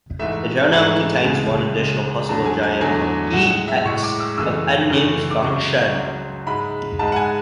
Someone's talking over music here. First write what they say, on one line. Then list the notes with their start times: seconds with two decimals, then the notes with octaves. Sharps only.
The genome contains one additional possible gene, called pX, of unknown function.
0.19 G#2 E3 A3 E5
0.72 G#2 E3 A3
1.24 C#2 C#3 G#3 G#5
1.76 C#2 C#3 G#3
2.29 E2 D3 F#3 A3 A5
2.46 G#5
2.63 G#5
2.81 E2 D3 F#3 A3 G#5
3.33 A2 G#3 F#5
3.51 F#5
3.68 E5
3.85 A2 G#3 C#6
4.03 D6
4.20 E6
4.38 F#2 C#3 E3 A3 E6
4.90 F#2 C#3 E3 A3
5.30 D6
5.42 C#2 C#3 F#3 C#6
5.95 C#2 C#3 F#3
6.47 G#2 G#3 B5
6.99 G#2 G#3 A5
7.12 F#5
7.16 G#5